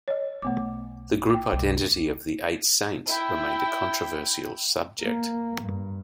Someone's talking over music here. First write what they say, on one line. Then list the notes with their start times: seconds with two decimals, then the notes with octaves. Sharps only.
The group identity of the Eight Saints remains a controversial subject.
0.08 C#5 D#5
0.42 B1 A3 B3 D6
1.30 G5 D6
1.52 C2
3.07 E4 G5
5.01 A#3
5.63 G2